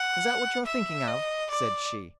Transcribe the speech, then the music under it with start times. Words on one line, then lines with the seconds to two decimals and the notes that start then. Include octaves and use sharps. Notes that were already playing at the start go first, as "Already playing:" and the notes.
Is that what you're thinking of?' said she.
Already playing: F#5
0.66 E5
1.08 D#5
1.50 D5